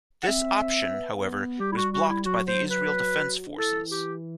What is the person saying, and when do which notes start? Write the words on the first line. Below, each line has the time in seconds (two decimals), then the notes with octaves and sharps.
This option, however, was blocked by the Israel Defense Forces.
0.23 F#5
0.27 C4 E5
0.94 B3
1.60 G3 G4
1.72 E4
1.77 F#4
1.93 F#4
2.09 E4
2.25 F#3 F#4
2.47 C5
2.70 B4
3.47 D3
3.58 E3 A4
3.91 G4